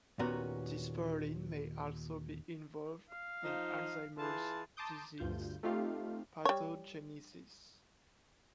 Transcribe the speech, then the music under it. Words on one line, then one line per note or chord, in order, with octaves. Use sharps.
Dysferlin may also be involved in Alzheimer's disease pathogenesis.
D#2 A#2 B3 C#4 F#4 A#4
F5
F3 D#4
E3 F4 G#4 A5
A5 A#5 C6 D6 D#6 G6
D2 G2 F4 G6
A3 C4 D#4 F4 G4 F5
G3 C#5